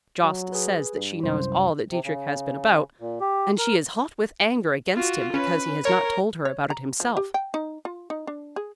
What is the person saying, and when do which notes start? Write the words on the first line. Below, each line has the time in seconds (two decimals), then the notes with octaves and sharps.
Jost says that she knows all that Dietrich has been about, and she is hot with anger against him because he has not told her about it himself.
0.23 F#3
0.52 G#4 B4
0.95 G2
1.23 C2 F#2 C5
1.91 C3
2.04 C#3
3.00 A#2
3.21 G4
3.58 A#4
4.95 F4 F#4
5.34 C#4 B4
5.85 A#4 C#5
6.45 C#5
6.70 A#5
7.00 F3
7.17 G4
7.34 G5
7.54 D#4
7.85 F4
8.10 D#4
8.27 D4
8.56 G#4